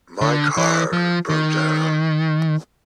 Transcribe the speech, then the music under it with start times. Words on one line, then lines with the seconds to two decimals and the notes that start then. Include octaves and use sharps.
My car broke down.
0.21 D3
0.57 E3
0.93 F3
1.29 D#3